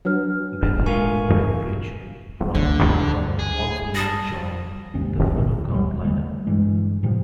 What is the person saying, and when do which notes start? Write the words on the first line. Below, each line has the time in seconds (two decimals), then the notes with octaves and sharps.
Beverly Breckenridge from Fifth Column also later joined the Phono-Comb lineup.
0.05 F#3 D4 B4 F6
0.86 G#2 A3 F4 A#4 G#5 C#6
2.55 D2 D3
3.39 G#4
3.95 G3 A5 D#6 A#6
4.94 G#1 D#2 C3 C#4
5.36 D2 A#2
5.71 E1 G3
6.04 D3 G3 A3
6.47 G2 E3 G#3
7.03 A2 C3 F3 G3